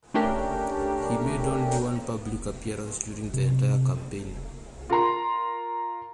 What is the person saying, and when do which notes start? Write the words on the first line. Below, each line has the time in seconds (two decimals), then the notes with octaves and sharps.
He made only one public appearance during the entire campaign.
0.14 A3 C#4 D4 G4 A#4
3.34 C3
4.90 F4 A#4 A#5 C6